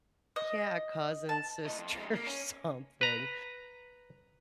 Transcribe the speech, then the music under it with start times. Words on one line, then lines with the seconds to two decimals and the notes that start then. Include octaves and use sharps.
Yeah, cousin, sister, something,
0.36 D#5
1.29 A5
1.66 A2 D#5
1.78 F2
1.95 F2 G#3
2.13 A#3
2.27 C#4
3.01 B4 A#5